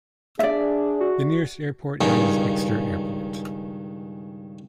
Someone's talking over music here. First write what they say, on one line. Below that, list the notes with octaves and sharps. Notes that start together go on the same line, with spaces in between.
The nearest airport is Exeter Airport.
D4 G#4 D5 E5
F#4
C#2 G2 D#3 C#4